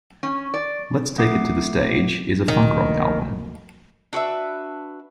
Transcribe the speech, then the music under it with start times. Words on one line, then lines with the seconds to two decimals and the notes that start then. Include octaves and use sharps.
"Let's Take It to the Stage" is a funk rock album.
0.23 C#4
0.54 D5
1.18 A3 F#5 D6 C7
2.48 F1 D2 D#3 A#3
4.13 D4 F#4 B4 E5